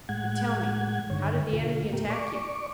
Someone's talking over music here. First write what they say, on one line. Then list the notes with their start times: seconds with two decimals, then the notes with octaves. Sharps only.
"But tell me, how did the enemy attack you?"
0.09 A2 G#3 F#5 G#6
1.10 G2 D3 D#3 C#5
1.53 D#2 B2 D3 F4
1.93 A#2 A3 B3 G4 A#4
2.10 D5 C#6 D6